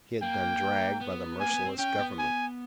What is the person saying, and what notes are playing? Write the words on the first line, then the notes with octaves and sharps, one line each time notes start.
He had been dragged by the merciless government.
A#3 G5
B3
A#3 G#5
B3
C4
C#4 G5
B3
G#5